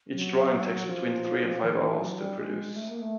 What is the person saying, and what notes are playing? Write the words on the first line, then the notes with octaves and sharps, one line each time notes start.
Each drawing takes between three and five hours to produce.
F#3
F3
D#3
E3
F#3
G3
G#3
A3
A#3
A3